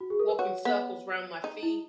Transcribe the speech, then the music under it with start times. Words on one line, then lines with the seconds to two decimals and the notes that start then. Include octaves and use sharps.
walking circles 'round my feet.
0.01 F#4
0.10 G#4
0.20 A#4
0.29 B4
0.38 F#4 C#5
0.65 B3
1.44 D#4
1.63 E4